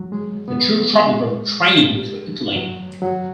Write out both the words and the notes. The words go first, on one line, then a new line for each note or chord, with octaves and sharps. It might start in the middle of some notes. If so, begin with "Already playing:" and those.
The two travelled by train to Italy.
Already playing: F#3
G#3
B3
G#3
F#3
F#3